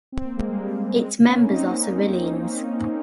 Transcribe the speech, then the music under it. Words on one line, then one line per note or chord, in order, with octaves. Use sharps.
Its members are civilians.
C4
A#3
G#3
G3 A#3
C#4
G#3 C4
A#3 C#4
C4 D#4